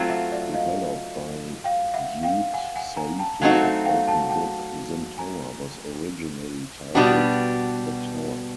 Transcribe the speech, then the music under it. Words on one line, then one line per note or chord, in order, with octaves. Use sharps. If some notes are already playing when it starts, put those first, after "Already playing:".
Developed by Yoot Saito of OpenBook, "SimTower" was originally titled "The Tower".
Already playing: F#3 A3 C4 F4 F5 G5
E5 F#5
D5 E5
D#5 F5
F5 G5
E5 F#5
F5 G5
F#5 G#5
F#5 G#5
G#5 A#5
G5 A5
F#3 A3 C4 D#4 F#4 F5 G5
E5 F#5
F5 G5
G5 A5
G5 A5
G#5 A#5
B2 G3 B3 D4 F#4 G5 A5